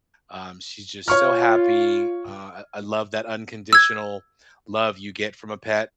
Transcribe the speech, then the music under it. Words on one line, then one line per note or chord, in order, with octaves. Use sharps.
um, she's just so happy, uh, I I love that unconditional love you get from a pet
F4 C#5 C#6 F6
E6 G#6